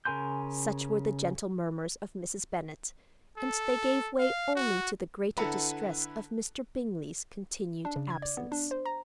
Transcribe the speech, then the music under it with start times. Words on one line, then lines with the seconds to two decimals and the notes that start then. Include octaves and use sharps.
Such were the gentle murmurs of Mrs. Bennet, and they gave way only to the greater distress of Mr. Bingley's continued absence.
0.05 C#3 A#4 G#5 C6 G6
3.38 A4
4.19 F5
4.56 F#4
5.37 D3 E4 A4 B4 F#5 A#5
7.85 D4
7.96 C#3
8.10 G#6
8.22 D5
8.37 B3
8.52 D4
8.71 C5
8.85 A#5